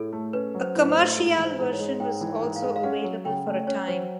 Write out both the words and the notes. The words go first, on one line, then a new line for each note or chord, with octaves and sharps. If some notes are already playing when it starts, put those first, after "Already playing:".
A 'Commerciale' version was also available for a time.
Already playing: A2 G#4 A4
A3
C#4 B4
F#3
C5
A2
C5
A3
G#2
E3
C5
G#2
C#5
G#3
G#2 G5
E3
G#2
F5
G#3
F5
C#4 F#5
F#3
C#3 G5
A3
C#4 C#5
F#3 C5